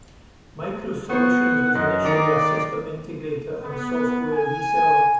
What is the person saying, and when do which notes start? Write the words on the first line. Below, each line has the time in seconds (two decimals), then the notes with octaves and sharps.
MicroSolutions was initially a system integrator and software reseller.
1.10 B3 C5 F#5 C#6
1.75 F#2 D#5
2.05 D#3 D5 A#5 C#7
3.63 B3
4.33 G#5